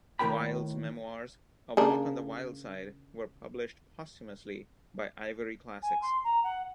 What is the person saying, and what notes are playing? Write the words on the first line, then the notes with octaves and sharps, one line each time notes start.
Wild's memoirs "A Walk on the Wild Side" were published posthumously by Ivory Classics.
A2 D#3 D4 A#4 G5 B5
C#3 A#3 D4
G#5
C6
A#5
F#5